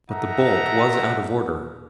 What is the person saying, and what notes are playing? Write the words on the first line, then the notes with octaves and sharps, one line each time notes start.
But the bolt was out of order.
D#4 A4 A#4 E5 F#5 A#5